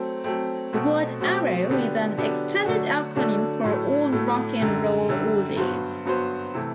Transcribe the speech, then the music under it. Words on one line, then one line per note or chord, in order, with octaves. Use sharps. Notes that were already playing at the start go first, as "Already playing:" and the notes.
The word "Arrow" is an extended acronym for "All Rock and Roll Oldies".
Already playing: F#3 A3 C4
F#3 A3 C4
B2 F#3 A3 C4 F#4
B2 F#3 A3 C4 F#4
D3 F#3 B3 D4 G4
D3 F#3 B3 D4 G4
D3 F#3 A3 D4 F#4
D3 F#3 A3 D4 F#4
A2 F#3 A3
A2 F#3 A3
F#2 D3 G3
F#2 D3 G3
G2 F#3 B3 F#4 C5
G2 F#3 B3 F#4 C5
C3 E3 A3